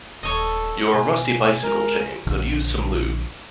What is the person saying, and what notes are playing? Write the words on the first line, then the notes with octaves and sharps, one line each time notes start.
Your rusty bicycle chain could use some lube.
D#1 A4 C#5 D#5
B2 G#5
G#3 A#4
A#1 D3 F3